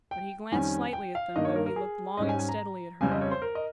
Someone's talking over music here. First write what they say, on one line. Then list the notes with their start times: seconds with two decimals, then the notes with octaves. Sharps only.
But he glanced slightly at them, though he looked long and steadily at her.
0.11 G5
0.52 F2 D#3 G3 C#4 G#5
0.93 G5
1.15 F5
1.36 G2 D#3 A#3 D#5
1.45 C#5
1.56 A#4
1.66 A#4
1.76 G#4
2.17 G#2 G3 C#4 D#5
2.29 G#5
2.39 G#5
2.49 A#5
3.01 F2 C#3 G3 C4 G#5
3.12 D#5
3.21 C#5
3.31 C5
3.42 A#4
3.55 D#5